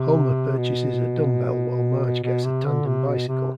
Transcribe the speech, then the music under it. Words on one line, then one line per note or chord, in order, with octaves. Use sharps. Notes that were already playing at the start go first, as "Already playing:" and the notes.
Homer purchases a dumbbell while Marge gets a tandem bicycle.
Already playing: C3
B2
B2
C3
D3
C3
B2
C3